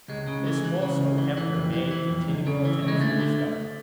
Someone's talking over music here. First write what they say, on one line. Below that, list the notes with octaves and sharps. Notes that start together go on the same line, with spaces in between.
This also Kepler made continual attempts to discover.
C#2 G#3
C#3
E3
E3
C#3
C#2
E3
E3
F2
E3
E3
F2
C#2
C#3
E3
C#3
G#3
D3 A3
D3